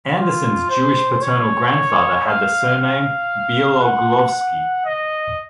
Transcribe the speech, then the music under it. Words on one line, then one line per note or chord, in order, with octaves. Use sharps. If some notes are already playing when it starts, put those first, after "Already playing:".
Anderson's Jewish paternal grandfather had the surname Bieloglovski.
F4
C5
C#5
F5
F5
F#5
F#5
D#5